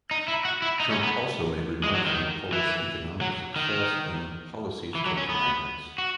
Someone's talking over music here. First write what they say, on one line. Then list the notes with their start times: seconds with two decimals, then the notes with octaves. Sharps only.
Trump also made remarks on Polish economic success and policies towards migrants.
0.11 D#4
0.28 E4
0.45 F#4
0.62 E4
0.80 D#4
0.91 C#4
1.03 B3
1.84 G#3
1.95 F#3
2.06 D#3
2.53 E3
3.22 F#3
3.56 D#3
4.95 E3
5.06 F#3
5.17 C#4
5.29 B3
5.98 F#4